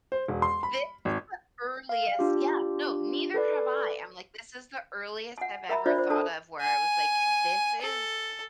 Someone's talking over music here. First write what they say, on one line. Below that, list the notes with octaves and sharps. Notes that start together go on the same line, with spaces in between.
this is the earliest Yeah, no, neither have I, I'm like, this is the earliest I've ever thought of where I was like, "This is
C5
E1
C6
B5
G#1
F5
D4 F4 G4
A4 B4 D5
F#5 G#5
A#4 E5 A#5 B5
D4 F4 C5 D5 E5
C5
D4 A4 A5
G#5
A4